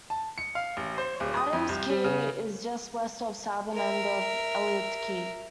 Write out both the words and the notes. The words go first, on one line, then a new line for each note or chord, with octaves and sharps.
Adams Key is just west of the southern end of Elliott Key.
A5
C#7
F5
A1
C5
D1
D#6
F2
C2
G3
C#3
A#4 E5